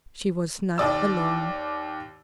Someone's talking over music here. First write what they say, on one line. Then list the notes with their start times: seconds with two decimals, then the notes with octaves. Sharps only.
She was not alone.
0.78 D#2 D5 E6